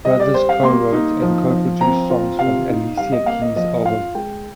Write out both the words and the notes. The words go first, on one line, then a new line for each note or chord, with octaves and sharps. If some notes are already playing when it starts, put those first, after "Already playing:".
Brothers co-wrote and co-produced songs from Alicia Keys's albums.
G3 D#5
D5
G3 C5
F5
A#3 C6
D#4
F3
F3
C4 A#5
F4
C3 F5
D#4
G3 F5
D#5
A#3 F5
D#5
F3 D#5
F4 F5
G#3 G5